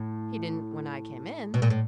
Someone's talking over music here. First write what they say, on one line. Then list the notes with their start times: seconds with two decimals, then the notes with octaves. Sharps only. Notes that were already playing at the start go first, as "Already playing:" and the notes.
"He didn't when I came in."
Already playing: A2
1.54 B2
1.62 A#2
1.70 A2